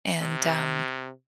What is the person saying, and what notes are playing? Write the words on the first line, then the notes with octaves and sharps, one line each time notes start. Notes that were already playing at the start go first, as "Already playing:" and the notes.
and, um,
C3